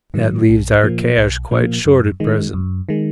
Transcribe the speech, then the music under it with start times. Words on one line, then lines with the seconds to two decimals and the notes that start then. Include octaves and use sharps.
That leaves our cash quite short at present.
0.14 G#2 D#3 F#3
0.49 B1
0.83 A#2 F3 A#3
1.18 B1
1.51 A#2 F3 A#3
1.85 F#2
2.20 D#3 G#3
2.54 F#2
2.89 D#3 G#3